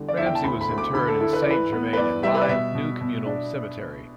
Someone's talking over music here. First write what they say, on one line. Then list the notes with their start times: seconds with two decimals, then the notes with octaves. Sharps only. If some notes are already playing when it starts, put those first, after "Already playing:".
Ramsay was interred in Saint-Germain-en-Laye New Communal Cemetery.
Already playing: E2 D3 G3
0.09 D5
0.17 E2 E5
0.26 G5
0.35 A5
0.43 D2 B5
0.61 B5
0.70 D2
0.78 D6
0.95 D3 B5
1.08 A4
1.20 E4 A4
1.33 B4
1.42 D5
1.47 E3 B4
1.73 B3
1.93 B4
1.97 E2 D5
2.23 G3 E5
2.34 B4
2.41 D5
2.49 B2 E5
2.75 B2
3.01 B2
3.26 D4